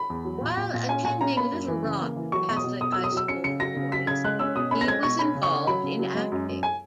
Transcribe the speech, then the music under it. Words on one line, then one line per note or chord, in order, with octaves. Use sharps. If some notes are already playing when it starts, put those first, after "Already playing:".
While attending Little Rock Catholic High School for Boys, he was involved in acting.
Already playing: B5
E2
F#3
A#2
A#2
A#2
C#4 G#5
A#2 G#5
C#4 A#5
A#3 B5
F#2
E3
C#3
A#3
E3
F#3 C#6
B2 C#6
D#6
B2
B2 D#6
E6
F#3
D#6
F#3 E6
C#4 C#7
C#3 C#7
F#3 A#6
C#3
F#3 B6
C#3 G#6
G#3 F#6
C#4 E6
B2 D#6
C#4 B5
A#6
G#3 G#6
B2 C#6
C#4 B5
C#3
C#6
C#4
F#3 B5
C#3
F#3
G#3
F#2
F#2
G#5